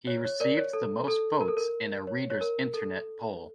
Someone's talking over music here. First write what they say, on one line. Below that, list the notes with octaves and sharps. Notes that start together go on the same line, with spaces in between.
He received the most votes in a readers internet poll.
C#5
C#5
A#4 D5
C#5
A4
A4
A#4
A4
A#4
C#5
C#5
A#4
A4